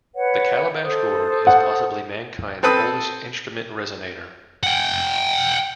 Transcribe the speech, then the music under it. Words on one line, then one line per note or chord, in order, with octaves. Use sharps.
The calabash gourd is possibly mankind's oldest instrument resonator.
B4 C#5 F#5
A4 C5 D#6
F#5
C4 A4 B4 D#6
F#5 G5